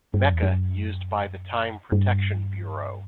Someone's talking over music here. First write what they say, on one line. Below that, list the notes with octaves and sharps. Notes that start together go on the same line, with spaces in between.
Mecha used by the Time Protection Bureau.
G2
F#2
E2
F#2
G2